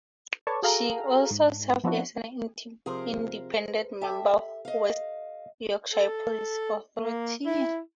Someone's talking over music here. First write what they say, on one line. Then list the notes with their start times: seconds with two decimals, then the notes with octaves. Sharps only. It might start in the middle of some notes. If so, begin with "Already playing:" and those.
She also served as an independent member of the West Yorkshire Police Authority.
0.47 A4 B4 C#5 D5 A5 C#6
0.63 F#4 G#4 A4 F5 A#5
1.31 G#2
1.84 F3 B3 C4 D4 E4 F#4
2.86 C3 F3 G#4 A#4 C5
3.69 B4
4.01 G4 A4 E5 G5
4.65 D#5 F5
5.93 A4
6.99 A#3
7.46 E4